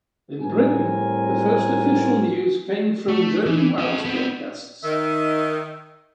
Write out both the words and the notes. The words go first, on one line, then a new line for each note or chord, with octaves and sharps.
In Britain, the first official news came from German wireless broadcasts.
A2 G3 C4 A#4 G#5
A3
E3
A4 D#5
B3 C4
D#3 E5